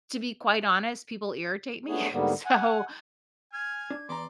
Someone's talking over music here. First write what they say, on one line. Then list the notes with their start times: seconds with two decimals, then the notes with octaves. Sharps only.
to be quite honest, people irritate me, so,
1.88 A3 B3 D4 G#4 C#5
2.13 G#2 D3 G3 A#3 B3
2.45 F#5 G#5
3.53 G#5 F6 G#6
3.90 D4
4.09 E2 D5 A#5 C6 D6